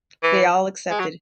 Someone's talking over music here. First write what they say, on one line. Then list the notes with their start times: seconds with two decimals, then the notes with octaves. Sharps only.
They all accepted.
0.23 E3
0.91 G#3
0.99 F#3